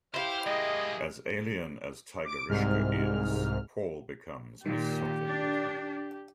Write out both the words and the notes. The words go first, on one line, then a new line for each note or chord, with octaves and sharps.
As alien as Tigerishka is, Paul becomes besotted with her.
E4 G4 C5 F5 F6
G#3 A#3 G#4 D#5
D6 D7
C2 G#2 C3 F6
A#2 D#3 G4
D4